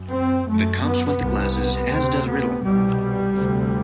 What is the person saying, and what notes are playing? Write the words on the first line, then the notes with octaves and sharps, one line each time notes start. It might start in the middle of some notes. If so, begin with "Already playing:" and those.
The cops want the glasses, as does Rydell.
Already playing: F#2
C4
F#2 A3
B3
C2 C3
D2 C3 C4
B3
C2 B2 G3
D2 C3